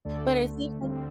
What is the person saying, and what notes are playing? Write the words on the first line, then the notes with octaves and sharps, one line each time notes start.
But it seems like
D2 D3 A3 A4 D5
D2 D3 G3 C4 F4